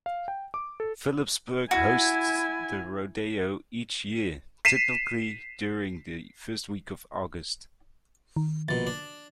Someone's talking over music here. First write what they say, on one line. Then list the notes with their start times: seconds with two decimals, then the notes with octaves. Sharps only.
Phillipsburg hosts the rodeo each year, typically during the first week of August.
0.06 F5
0.28 G5
0.54 D6
0.80 A4
1.71 E4 F#4 G#5
4.65 B6 C7 D#7 E7
8.36 D#3
8.69 A#1 B2 A6
8.87 D4